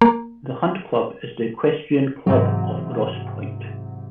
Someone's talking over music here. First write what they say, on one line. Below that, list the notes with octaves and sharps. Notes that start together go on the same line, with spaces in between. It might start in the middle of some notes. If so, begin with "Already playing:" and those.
The Hunt Club is the equestrian club of Grosse Pointe.
A#3
G#2 C3 E3 F#3